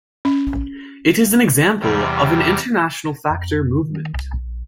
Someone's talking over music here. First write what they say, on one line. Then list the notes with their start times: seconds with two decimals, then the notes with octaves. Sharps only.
It is an example of an international factor movement.
0.25 C#4
1.80 E2 C3 G3
3.30 F2
3.82 D#3
4.13 C2
4.38 A#1